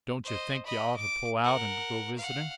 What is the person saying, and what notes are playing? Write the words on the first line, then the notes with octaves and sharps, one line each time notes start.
"Don't yuh think yuh ought to pull out and go visiting?"
C5 D#5
D#5 B5
D6
A#4 F#5
F5 F#5